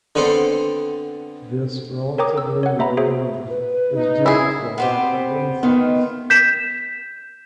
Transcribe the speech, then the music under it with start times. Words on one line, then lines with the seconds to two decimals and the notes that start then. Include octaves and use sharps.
This relatively low number is due to the lack of insects.
0.15 D3 B3 C4 A4 C5
2.18 A#4 C#5 G5 A#5 D6 D#6
2.38 E6
2.63 C#5 F#5
2.79 A#3 E5 A#5 B5
2.97 F#4 G#4 C5 E5
3.49 B4
3.94 D#4
4.26 E4 G#4
4.78 B3 C4 G4
5.63 D#3 A3 B3 F4
6.30 G6 B6 E7